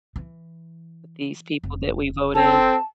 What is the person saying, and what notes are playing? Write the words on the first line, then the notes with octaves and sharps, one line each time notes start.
with these people that we vote in.
E3
F1
C4 A4 A5